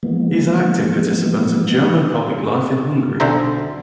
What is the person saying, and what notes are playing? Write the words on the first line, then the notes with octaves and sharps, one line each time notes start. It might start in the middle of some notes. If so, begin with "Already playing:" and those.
He is an active participant of German public life in Hungary.
E3 F3 G#3 A#3 B3
B1 D3 C5 E5 A#5